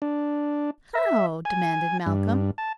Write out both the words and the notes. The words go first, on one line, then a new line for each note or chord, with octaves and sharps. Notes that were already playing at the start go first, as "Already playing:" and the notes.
"How?" demanded Malcolm.
D4
E5
G#5
G2
A5